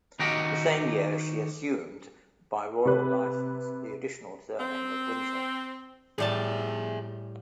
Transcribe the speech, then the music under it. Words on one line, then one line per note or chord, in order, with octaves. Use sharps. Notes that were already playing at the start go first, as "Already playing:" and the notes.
The same year she assumed by Royal licence the additional surname of Windsor.
D#3 D#4 F#4 G4
C3 B4
C4
A2 G3 G#4 E5 A5